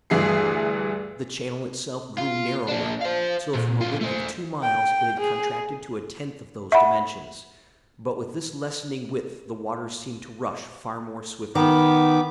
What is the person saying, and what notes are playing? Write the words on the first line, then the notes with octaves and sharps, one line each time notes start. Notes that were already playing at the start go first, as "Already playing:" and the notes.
The channel itself grew narrower, till from a width of two miles it had contracted to a tenth of those dimensions; but with this lessening width the waters seemed to rush far more swiftly.
D2 G2 E3 G#4 C7
F4
A#2 D4
C5 F5
A#2
B1 F4
A3 C5
G5
G#4
E5 F#5 B5
D#3 B3 D6